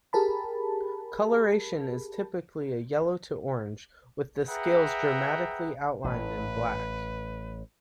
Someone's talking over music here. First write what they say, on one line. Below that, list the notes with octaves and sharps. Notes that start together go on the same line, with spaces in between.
Coloration is typically a yellow to orange, with the scales dramatically outlined in black.
G4 G#4 A#4 A5 B5
G#4 B4 E5 F#5 G5 A#5
A1 A2 B4